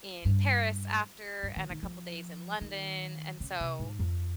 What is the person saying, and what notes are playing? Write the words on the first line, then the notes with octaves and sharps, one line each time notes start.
in Paris after, and a couple days in London, and so
G2
G2
D#3
D#3
F3
D#3
C#3
C3
G#2
F2